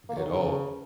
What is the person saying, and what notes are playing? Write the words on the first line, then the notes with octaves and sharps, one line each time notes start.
At all.
A#3
F#3
D#3
C#3